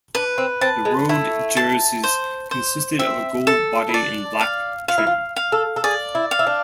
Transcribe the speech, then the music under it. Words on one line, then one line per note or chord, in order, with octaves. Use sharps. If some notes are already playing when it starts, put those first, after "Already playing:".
The road jerseys consisted of a gold body and black trim.
D4 B4
C4
C4 A5
G#3
A3 E4
A5
C5
C5
C4 E5
A4
E4
D4 D5
F5
F4 F5
E4
F4
F5
A4
A4
G#4 D5
E4
F5
E4
D4